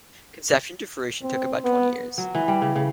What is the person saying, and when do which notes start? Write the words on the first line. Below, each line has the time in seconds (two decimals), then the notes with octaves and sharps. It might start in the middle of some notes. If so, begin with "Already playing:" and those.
Conception to fruition took about twenty years.
1.23 C4
1.64 B3
2.18 F#3
2.35 E3
2.48 G3
2.62 C#3
2.76 C#3